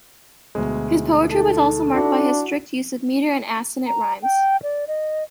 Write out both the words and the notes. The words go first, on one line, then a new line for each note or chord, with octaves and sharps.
His poetry was also marked by his strict use of meter and assonant rhymes.
D2 B2 G#3
D#4 A4 A5
D4 E4 F#4
A#5
G5
D5
D#5